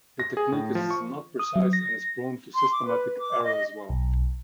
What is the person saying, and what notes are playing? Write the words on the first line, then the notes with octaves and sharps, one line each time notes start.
The technique is not precise and is prone to systematic error as well.
A#6
G#4
A2
F3
C#6
D#6
F#3
A#6
C6
D6
B4
D6
D#5
B1